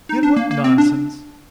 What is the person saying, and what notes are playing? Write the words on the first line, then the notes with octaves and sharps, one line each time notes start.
Yet what nonsense!
D#4
D4
A#3
A#3
C4
D4